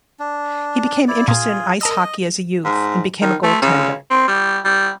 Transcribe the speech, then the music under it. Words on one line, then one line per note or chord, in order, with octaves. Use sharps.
He became interested in ice hockey as a youth and became a goaltender.
D4
E4 D5
A#2 F4 G#4
A#4 D#5 A5 E6
G#2
D#3
A3
C#3
C4
G3
G3